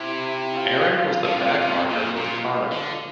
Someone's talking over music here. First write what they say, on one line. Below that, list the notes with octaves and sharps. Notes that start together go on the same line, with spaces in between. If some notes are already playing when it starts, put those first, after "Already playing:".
Aaron was the backmarker for the carnival.
Already playing: C3 E4
F4
D3
C3
C3
A#2
A#2 F4
D3